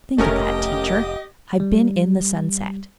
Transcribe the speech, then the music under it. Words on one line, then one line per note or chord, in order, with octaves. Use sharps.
Think of that, teacher, I've been in the sunset.
F1 A3 C#4 G4 A#4 D#5
G3